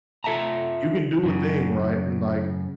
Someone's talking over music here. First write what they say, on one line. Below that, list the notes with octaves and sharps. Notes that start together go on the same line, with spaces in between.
you can do a thing, right? And, like,
F4 A4 E5 A5 A#5
F#2 C#3